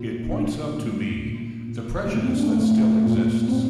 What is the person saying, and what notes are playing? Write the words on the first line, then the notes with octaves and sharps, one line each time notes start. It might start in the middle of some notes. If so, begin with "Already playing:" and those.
It points up to me the prejudice that still exists.
Already playing: A#2 F#4
D#4
A#2 D4
A2
A#2
A#2
G3
A3
A2 A#3
C4
D4
A3
A2 A3
A#2
A#2 C4